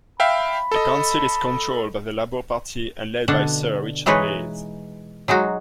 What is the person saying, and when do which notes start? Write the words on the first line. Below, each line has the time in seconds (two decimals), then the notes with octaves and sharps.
The council is controlled by the Labour Party and led by Sir Richard Leese.
0.20 E5 F5 G5 B5
0.72 A4 D#5
3.28 B2 D3 D4 F#5
4.06 E3 G#3 D#4 B4 C#5
5.28 F#3 G#3 D#4 F#4